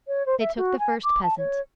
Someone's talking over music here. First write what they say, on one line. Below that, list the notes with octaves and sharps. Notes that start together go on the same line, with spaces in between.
They took the first peasant.
C#5
C5
E5
F#4
G#5
D6
A5
C#5